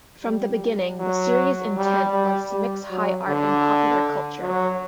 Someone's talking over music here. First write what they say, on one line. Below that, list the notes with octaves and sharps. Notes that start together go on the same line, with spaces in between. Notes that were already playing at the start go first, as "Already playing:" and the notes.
From the beginning the series' intent was to mix high art and popular culture.
G3
F#3
G3
G3
G3
F#3
D3
F#3